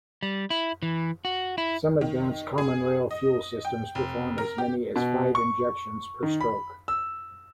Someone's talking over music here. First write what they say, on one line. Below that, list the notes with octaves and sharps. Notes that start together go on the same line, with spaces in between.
Some advanced common rail fuel systems perform as many as five injections per stroke.
G3
E4
E3
F#4
E4
D#3
G#4
D#5
G5
F1
A#4
G4
B2
C#6
D#3
B5
E6